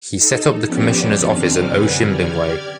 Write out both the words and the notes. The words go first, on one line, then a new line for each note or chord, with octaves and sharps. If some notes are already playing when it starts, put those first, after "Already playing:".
He set up the commissioner’s office in Otjimbingwe.
D#4 A4
F2 F3 B3 C#4 G4 D5
C3 D#3 C4 D4 D6 F6
F#2 D3 B4 F#5 G#5
G4 D5 F6 G#6